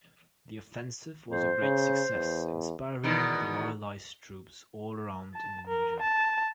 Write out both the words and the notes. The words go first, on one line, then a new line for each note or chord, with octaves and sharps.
The offensive was a great success, inspiring demoralized troops all around Indonesia.
F2 C5
C#3
E2
E2 B2 D#3
A5
A#4
A5